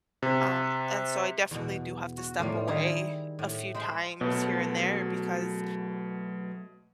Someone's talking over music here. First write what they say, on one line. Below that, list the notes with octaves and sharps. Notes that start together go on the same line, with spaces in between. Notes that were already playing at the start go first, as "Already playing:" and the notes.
um, and so I definitely do have to step away a few times here and there because
C3
E2 B2
F#4
A2 F3 G3 A#3
D#3 G3 E4 G#4 F5 A#5
A2
G#3 C5 G5 B5
B2 F#3 A3